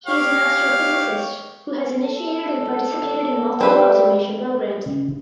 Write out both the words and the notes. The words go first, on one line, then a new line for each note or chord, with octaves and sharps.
He is an astrophysicist who has initiated and participated in multiple observation programs.
G4 C#5 F5
A4
G3 C4 B4
C#3